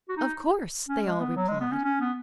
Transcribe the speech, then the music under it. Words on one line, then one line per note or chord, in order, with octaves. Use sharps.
"Of course," they all replied.
F#4
D#4
C#4
G#3
B3
F#3
G#3
B3
C#4
C#4
B3